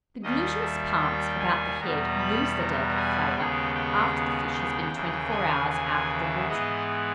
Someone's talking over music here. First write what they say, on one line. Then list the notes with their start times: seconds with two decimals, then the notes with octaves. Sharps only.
The glutinous parts about the head lose their delicate flavour, after the fish has been twenty-four hours out of the water.
0.22 D#2 D#3 G3 D#5
0.62 E5
1.01 G5
1.40 G#5
1.79 E2 B2 G3 B3 A#5
2.18 B5
2.58 A#5
2.96 G#5
3.36 D#2 C#3 G#3 B3 G5
3.75 G5
4.53 G5
4.92 D#2 C#3 E3
5.31 G#5
5.70 G#5
6.09 E5
6.48 G#2 E3 G#3 B3 D#5